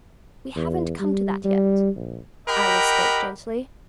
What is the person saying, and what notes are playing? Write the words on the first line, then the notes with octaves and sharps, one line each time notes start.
"We haven't come to that yet," Alice spoke gently.
E2
G3
G3
A#1
G4 A#4 D#5 F#5 G5 B5